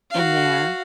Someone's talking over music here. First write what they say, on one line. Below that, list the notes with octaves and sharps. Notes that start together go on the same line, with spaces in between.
In there.
F#4 F5